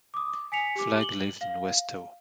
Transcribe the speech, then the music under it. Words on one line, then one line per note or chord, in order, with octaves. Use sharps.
Flagg lived in Westoe.
D6 D#6
G#5 B6 C#7 F7
G4 D6
F#7 G7
F5